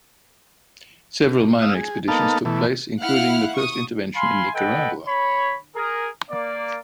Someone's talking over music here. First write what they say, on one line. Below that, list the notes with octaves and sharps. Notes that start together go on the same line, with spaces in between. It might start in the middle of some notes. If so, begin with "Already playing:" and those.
Several minor expeditions took place, including the first intervention in Nicaragua.
F5 D#6 E6
G#4
A#3 B3 D#4 A4 F5 A5
B2 E3 A3
E4 F5 F#5 F6 F#6
C#6 D#6
F5 G#5 B5 C6
A4 B4 D#5 F#5 G5
C#5 B5
G#4 A#4
A#3 D5